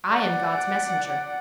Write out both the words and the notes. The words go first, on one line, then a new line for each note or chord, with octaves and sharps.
I am God's messenger.
D5 F#5